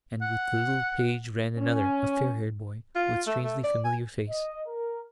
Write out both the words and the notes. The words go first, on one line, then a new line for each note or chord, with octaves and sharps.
And with the little page ran another, a fair-haired boy, with strangely familiar face.
F#5
C#4
F4
A3
A3
D5
G#5
D#5
A#4